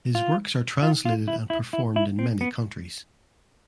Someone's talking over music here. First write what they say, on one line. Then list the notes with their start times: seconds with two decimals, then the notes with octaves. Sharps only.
His works are translated and performed in many countries.
0.15 F4
0.83 F4
1.05 F4
1.28 E4
1.50 E4
1.73 E4
1.96 E4
2.19 C4
2.41 B3